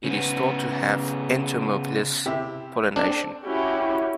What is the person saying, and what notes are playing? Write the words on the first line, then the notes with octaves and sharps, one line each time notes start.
It is thought to have had entomophilous pollination.
C#3 B3
C3 E4 G4
C4 D4 A4 A5
C#4 E4 F#4 G4